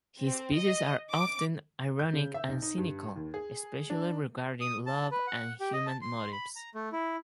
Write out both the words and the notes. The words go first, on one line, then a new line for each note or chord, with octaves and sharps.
His pieces are often ironic and cynical, especially regarding love and human motives.
C4
D#5
D6
G6
C#3
E5
B1
D#4
G2
D#2
G#4
D4
D#6
A5
B4
F#5
G4
D#5
A5
C6
B5
A#5
A3
E4